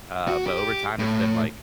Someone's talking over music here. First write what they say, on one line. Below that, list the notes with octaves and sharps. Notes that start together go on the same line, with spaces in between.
uh, but over time, it's been like,
F#4
G4
A2